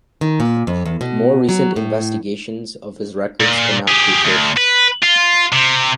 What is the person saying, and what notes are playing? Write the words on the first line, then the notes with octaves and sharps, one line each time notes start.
More recent investigations of his records could not prove this.
D#3
A#2
F2
E2
B2
F#3
A2
A#2
G4 G#4
D2
B4
F4
C3